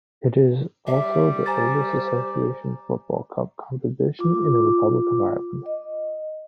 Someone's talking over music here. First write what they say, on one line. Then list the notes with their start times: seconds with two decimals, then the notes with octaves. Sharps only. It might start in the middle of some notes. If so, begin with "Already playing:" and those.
It is also the oldest association football cup competition in the Republic of Ireland.
0.87 G3 D5 E5
1.46 C5 G#5 A#5 A6
4.19 F4 D6
5.66 D#5